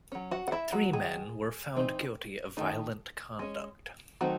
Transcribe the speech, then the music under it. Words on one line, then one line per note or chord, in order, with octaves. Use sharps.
Three men were found guilty of violent conduct.
F#3 C#4
F#4 F#5
F#5
E4 E5
F#3 F#4
D#3 F#3 G#4
E3 C4 D#4
D#3 A3 D#4
G#3 C#4
D#3 F#3 A3 C4 D#4 F#4